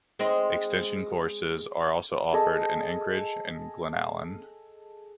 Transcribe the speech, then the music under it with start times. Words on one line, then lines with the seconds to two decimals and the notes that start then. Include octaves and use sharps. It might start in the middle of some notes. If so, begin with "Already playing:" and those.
Extension courses are also offered in Anchorage and Glennallen.
0.19 G#3 C4 D#4
2.33 G#4 A4 D#5